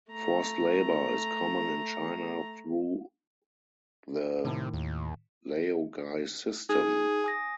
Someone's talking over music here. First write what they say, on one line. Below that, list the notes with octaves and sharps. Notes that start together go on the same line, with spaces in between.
Forced labor is common in China through the laogai system.
A3 A#5
A2 C3 D#3
D#2
D#4 G#4
G#5 D#6 A#6